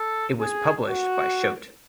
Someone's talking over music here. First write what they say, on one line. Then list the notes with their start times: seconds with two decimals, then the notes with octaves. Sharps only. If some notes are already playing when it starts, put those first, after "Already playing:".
It was published by Schott.
Already playing: A4
0.40 G#4
0.87 F#4